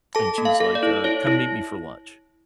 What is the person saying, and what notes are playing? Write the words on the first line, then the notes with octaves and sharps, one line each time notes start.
and she's like, uh, "Come meet me for lunch"
A4 A5
A#3
F5
A4
D5
E4
E4 C#5
E4